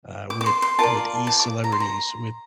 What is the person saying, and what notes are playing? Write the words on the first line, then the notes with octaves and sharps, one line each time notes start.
uh, with with e-celebrities, with
D6
D6
C6
C6
F4 A#4 D5 A5
A5
D6
A#5
C6
A#5